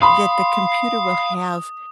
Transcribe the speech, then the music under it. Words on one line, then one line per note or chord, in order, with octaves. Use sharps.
that the computer will have
F5 B5 C6 D#6